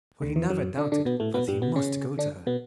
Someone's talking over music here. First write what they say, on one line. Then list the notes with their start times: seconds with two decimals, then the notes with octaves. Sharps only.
For he never doubted that he must go to her.
0.22 D2 D3
0.36 E2 E3
0.50 F#2 F#3
0.77 D3 D4
0.92 D3 D4
1.05 B2 B3
1.20 A2 A3
1.34 B2 B3
1.48 G2 G3
1.62 B2 B3
1.76 C#3 C#4
2.18 D3 D4
2.47 B2 B3